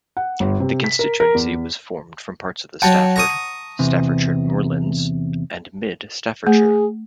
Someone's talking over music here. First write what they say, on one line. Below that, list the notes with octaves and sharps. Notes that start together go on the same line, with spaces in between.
The constituency was formed from parts of the Stafford, Staffordshire Moorlands and Mid Staffordshire.
F#5
G1
C3
B6
A#4
A#4
E2
F#3 F#5 G5 A5
A#5 C#6 D#6
E2 C3
A3 G#4